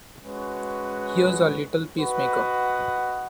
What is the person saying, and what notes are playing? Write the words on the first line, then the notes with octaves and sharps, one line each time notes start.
Here's our little peace-maker!
G#3 C#4 F#4 B4
F#4 B4 D#5 F#5